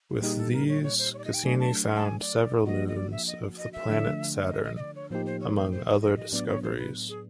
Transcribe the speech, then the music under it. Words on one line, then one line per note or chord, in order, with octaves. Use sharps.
With these Cassini found several moons of the planet Saturn, among other discoveries.
A#2 G3 A#3 D#4 G4 G#4
A4
A#4
C#5
C#5
C5
C#5
D5
D#5
G5
F#3 A3 D4 G#5
A5
A5
G#5
D5
F3 A#3 D4 F#4 D#5
D#5
D5
E5
D#5
D#5
E5
D3 F3 A3 D4
D#5
D#5
D#5
D5
C#5
A2 F3 A#3 D#4 G4 C5
C5
C#5
C5
C5
C#5
D#5
D#5
A2 F#3 B3 D4 D5
C#5
C5
B4
G#4